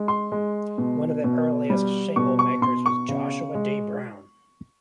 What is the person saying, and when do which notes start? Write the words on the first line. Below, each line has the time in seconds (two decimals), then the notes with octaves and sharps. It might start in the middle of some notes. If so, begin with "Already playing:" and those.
One of the earliest shinglemakers was Joshua D. Brown.
Already playing: G#3
0.08 C6
0.32 G#3
0.78 B2
1.24 B2
1.70 G3
2.16 B2 C#6
2.39 C#6
2.62 B2 C6
2.86 C#6
3.08 C#3
3.55 G#3